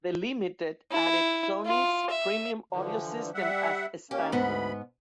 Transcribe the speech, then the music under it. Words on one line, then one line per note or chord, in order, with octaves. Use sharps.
The Limited added Sony's Premium Audio System as a standard.
E4
F4
E5
D3 E3 F3
G3 E5 F#5
A#3 C#4 G4
D2 G#2 B3 B5